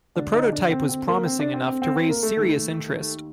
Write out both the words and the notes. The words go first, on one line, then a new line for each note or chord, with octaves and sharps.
The prototype was promising enough to raise serious interest.
D2 D3 D4
D#4
D4
C4
C4
A#3
C4
D4
C4
C4
C4
C4
A#3
A3
D#2 D#3